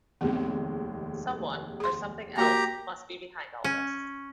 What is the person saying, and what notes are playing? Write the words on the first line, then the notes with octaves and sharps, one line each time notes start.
Someone, or something else must be behind all this.
F1 D#2 G#3 B3 C4
G#4 C6
A#3 F#4 G4 A#4 A#5
C#4